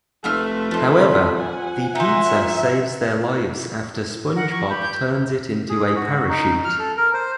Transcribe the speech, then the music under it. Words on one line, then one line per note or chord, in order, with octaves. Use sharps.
However, the pizza saves their lives after SpongeBob turns it into a parachute.
F1 A3 F4 B4 E5 F6
F2 C5 A5
F3 F#5 G#5
D#4 C5 E5
A#4 F#5
C#6
G4 B5
G6
G#4
F#4
D#4
F6
A4
A#4
C5